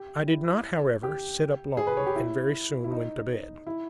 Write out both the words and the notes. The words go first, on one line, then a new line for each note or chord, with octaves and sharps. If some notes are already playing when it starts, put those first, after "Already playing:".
I did not, however, sit up long, and very soon went to bed.
Already playing: G4
E4
G4
G#4
B4
C#5
G4
E4
E4
D#4
E4